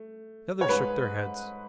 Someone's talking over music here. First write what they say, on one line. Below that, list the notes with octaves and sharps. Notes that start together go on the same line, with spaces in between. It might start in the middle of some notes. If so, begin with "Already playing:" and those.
The others shook their heads.
Already playing: A3
C#5
G#2 G#3 B4